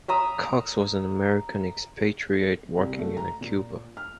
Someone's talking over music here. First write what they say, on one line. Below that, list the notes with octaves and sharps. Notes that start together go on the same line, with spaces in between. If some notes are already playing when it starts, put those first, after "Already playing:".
Cox was an American expatriate working in Cuba.
E5 A#5 D#6 E6
C2
A3
A#5
A#2
F6